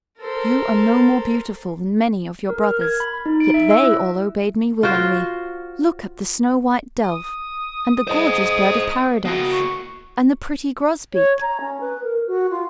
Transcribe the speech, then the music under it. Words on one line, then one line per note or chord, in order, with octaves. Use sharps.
You are no more beautiful than many of your brothers, yet they all obeyed me willingly. Look at the snow-white Dove, and the gorgeous Bird of Paradise, and the pretty Grosbeak.
A4 A#4 C5
A#4
F6
G#6
B5
D#4
D7
E5
E6
E4
F4 F#4 C5
D#6
C5 D#5
A#3 F#4 D#5
C#6
C#5
A#5
C#4
B4
A#4
F#4
F4